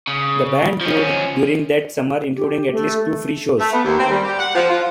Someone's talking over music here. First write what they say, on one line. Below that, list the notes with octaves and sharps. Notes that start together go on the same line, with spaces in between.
The band toured during that summer, including at least two free shows.
C#3
F3 C#4
G4
A3
A3
B3
D#2
C4
G3
G4
F#5
F3
F4